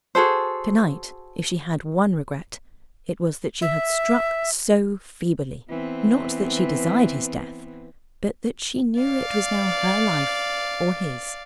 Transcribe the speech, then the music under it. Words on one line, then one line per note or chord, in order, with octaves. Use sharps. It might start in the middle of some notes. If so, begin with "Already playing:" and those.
To-night--if she had one regret it was that she had struck so feebly: not that she desired his death, but that she knew it was now her life or his.
F#4 G#4 A4 C5
E5
E3 B3 C4
D5 F5